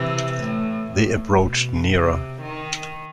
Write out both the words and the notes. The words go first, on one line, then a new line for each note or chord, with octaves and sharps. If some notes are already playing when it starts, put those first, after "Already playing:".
They approached nearer.
Already playing: C3 E3
A2
A2
B2
C3
D#3